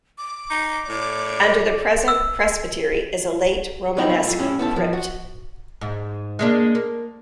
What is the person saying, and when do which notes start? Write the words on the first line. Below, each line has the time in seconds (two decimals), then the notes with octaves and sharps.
Under the present presbytery is a late Romanesque crypt.
0.18 D6
0.50 D#4
0.89 A2 C#5 D5
2.08 E6
3.97 F#3 A3 B3 C4 D#4 E4
4.25 A3 F4
4.39 G2 A3 C#4 E4
4.59 B3 E4 A4
4.76 F3
4.93 F#4
5.81 G#2
6.39 G#3 A#3 D4
6.75 A#3